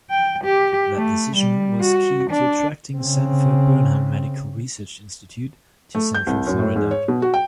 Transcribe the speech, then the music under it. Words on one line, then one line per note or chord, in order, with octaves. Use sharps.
That decision was key to attracting Sanford-Burnham Medical Research Institute to Central Florida.
G5
G4
A3
G3
F#4
D4
C#3 C4
A3
G6
C2
F#2
A2
G#2
C#5
B2
F#4
G5